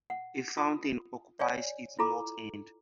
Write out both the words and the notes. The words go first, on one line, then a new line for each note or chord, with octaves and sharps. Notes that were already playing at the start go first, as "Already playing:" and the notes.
A fountain occupies its north end.
F#5
F4 D#6
C#5 D5 F5 G#5
E4 F4 A4 A#5 D6